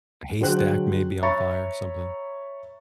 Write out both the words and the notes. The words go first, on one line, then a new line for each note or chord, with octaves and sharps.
A haystack may be on fire or something.
D3 F#3 G#4 C5 G5 F#6
C#5 E5 A#5 B5 C#6 A6